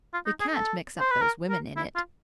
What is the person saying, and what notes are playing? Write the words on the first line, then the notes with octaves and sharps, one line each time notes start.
We can't mix up those women in it.
F4
D#4
G#4
A4
C5
B4
A#4
A#4
E4
F4